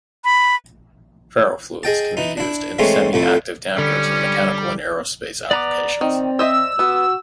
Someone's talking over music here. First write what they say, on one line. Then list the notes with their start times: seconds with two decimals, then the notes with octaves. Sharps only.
Ferrofluids can also be used in semi-active dampers in mechanical and aerospace applications.
0.24 B5
1.83 G#4 D#5 G5 A5
2.17 E3 D#4
2.37 D4 E4
2.79 E3 G#3 A3 C4 C#4
3.13 F2 A2 A3
3.78 D3 G3 C#4
5.51 B3 D5 A#5 D6
6.01 D#3 C4
6.39 C5 D#5 E5 E6
6.79 B3 F#4